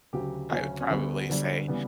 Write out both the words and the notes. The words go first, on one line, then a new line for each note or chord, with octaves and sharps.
I would probably say
D2 C#3 F#3 G4
D2 C#3 F#3 C#4
C#4
D2 D3 G3 B3
D2 D3 G3
C#3 E3 G3 B3